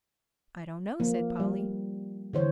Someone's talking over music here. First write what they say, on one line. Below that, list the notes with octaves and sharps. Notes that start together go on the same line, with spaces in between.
"I don't know," said Polly.
F3 A#3
G3
D3 E3 C5 C#5